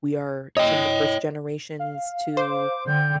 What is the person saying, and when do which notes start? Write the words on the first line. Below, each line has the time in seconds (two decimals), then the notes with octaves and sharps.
we are some of the first generations to
0.57 C#5 D#5 G5
1.79 F5
2.37 C5 D6
2.86 D3 G5 G6